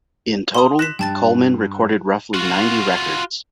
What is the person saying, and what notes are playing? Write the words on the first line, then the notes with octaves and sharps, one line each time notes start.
In total, Coleman recorded roughly ninety records.
C6 D#6
F#6 A#6 B6 E7
G2 G5 A5 A6
F4 F#4